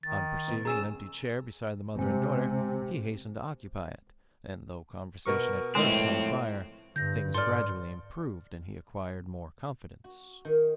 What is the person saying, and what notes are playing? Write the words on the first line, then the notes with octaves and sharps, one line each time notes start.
On perceiving an empty chair beside the mother and daughter, he hastened to occupy it, and though conversation at first hung fire, things gradually improved, and he acquired more confidence.
D#3 A6
B2
C#4 G#4 G#5 A#5 E6 E7
C3 G#3
B2 A#4 C#6
A2 F3 G#3 C4
G2 D3 G6 A#6
G#2 A4 D5 C6 F6
F#4
D#3